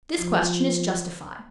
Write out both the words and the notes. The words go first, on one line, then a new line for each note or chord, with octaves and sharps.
This question is justified.
F3